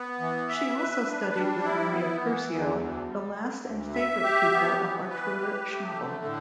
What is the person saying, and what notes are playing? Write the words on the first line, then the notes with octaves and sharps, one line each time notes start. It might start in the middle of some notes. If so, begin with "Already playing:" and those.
She also studied with Maria Curcio, the last and favourite pupil of Artur Schnabel.
Already playing: B3
E3
E5
B4
D4
G3
E4
B3
E3
E2
D2
G3
D3
D2
E5
G4
B3
E3
B4
G4
A3
D3
A2